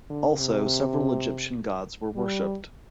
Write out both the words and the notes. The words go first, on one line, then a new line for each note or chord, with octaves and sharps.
Also, several Egyptian gods were worshipped.
D3
C3
G3